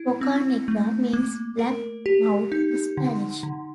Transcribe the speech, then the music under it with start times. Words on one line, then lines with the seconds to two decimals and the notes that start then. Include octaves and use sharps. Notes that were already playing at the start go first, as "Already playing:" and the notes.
"Boca negra" means "black mouth" in Spanish.
Already playing: E4
0.21 C4
0.68 A3
1.13 A#3
1.59 A#4
2.06 G4
2.52 D#4
2.97 D3
3.43 D3